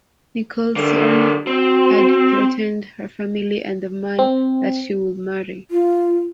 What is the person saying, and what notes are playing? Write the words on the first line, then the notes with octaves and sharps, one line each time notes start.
Nicholson had threatened her family and the man that she would marry.
D3 G3 A#3
C4 F#4
C4
F4